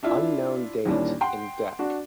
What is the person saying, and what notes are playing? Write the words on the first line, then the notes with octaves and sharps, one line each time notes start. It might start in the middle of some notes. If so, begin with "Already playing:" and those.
Unknown date in Dec.
D4 E4 F4
D#2 A#2 E3 G3 C#4 D4
F#5 G5 C6
D4 F#4